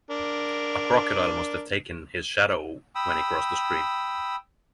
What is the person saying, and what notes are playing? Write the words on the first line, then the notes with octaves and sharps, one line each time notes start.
A crocodile must’ve taken his shadow when he crossed the stream.
D4 A#4
G5 B5 D#6 E6